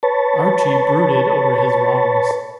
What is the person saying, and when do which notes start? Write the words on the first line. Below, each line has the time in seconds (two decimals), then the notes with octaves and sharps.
Archie brooded over his wrongs.
0.03 B4 C#5 A5